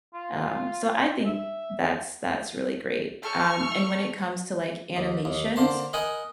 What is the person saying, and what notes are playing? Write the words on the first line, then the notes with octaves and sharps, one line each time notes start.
Um, so I think that's that's really great. Um, and when it comes to, like, animations,
F4
E5
C#4 A4 G5 C#6 F6
D#2
D#2
D3 A#3 C5 A5
A#4 D#5 F#5 G#5 B5